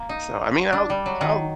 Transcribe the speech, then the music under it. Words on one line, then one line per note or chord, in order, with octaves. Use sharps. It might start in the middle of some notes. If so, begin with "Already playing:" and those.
so, I mean, I'll I'll
Already playing: A#3
D#4
D4
G3
F#3
D#3